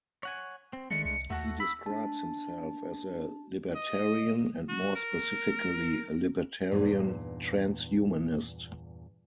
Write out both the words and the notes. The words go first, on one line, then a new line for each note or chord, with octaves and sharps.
He describes himself as a libertarian and more specifically a libertarian transhumanist.
C#5 F#5 G#5
C4
D#3 G#3 A3 D4 C#7
C2 C#7
D#2 A3 F#4 A4 F#5
B5 E6
D4 A5
D#5
F#4
A#4
E2 G2 A#2 D#4